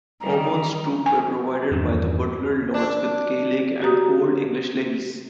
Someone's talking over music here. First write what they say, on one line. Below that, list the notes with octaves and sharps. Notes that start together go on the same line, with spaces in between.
Ormonde's troops were provided by the Butler lords with Gaelic and Old English levies.
D#3 G3 A#5
G#5
E2 G2 D#3 E3
D4
F#4 G4 A#5 D#6